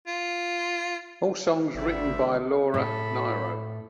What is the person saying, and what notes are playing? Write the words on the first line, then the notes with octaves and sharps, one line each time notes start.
All songs written by Laura Nyro.
F4
G#1 D2 D3 G3 C5 D5 E5
A2 A4 B5